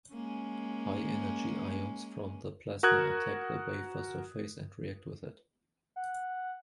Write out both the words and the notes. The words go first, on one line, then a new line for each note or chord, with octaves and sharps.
High-energy ions from the plasma attack the wafer surface and react with it.
G#3 A#3 C#4
F#4 A#4 D#6 F#6 G#6
F#5